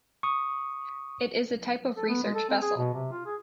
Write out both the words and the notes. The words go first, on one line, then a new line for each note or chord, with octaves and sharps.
It is a type of research vessel.
C#6 D#6
A4
B3
G#3
A4
C4
G#4
B2
C3
F4
G#4